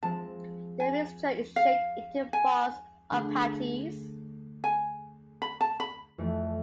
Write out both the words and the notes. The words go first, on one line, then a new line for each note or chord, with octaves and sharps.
The mixture is shaped into balls or patties.
F3 G#3 C4 A5
G#5
F5
G#5
D3 A3 D4 G#4
G#5
B5
A5
B5
F2 E3 A3 E4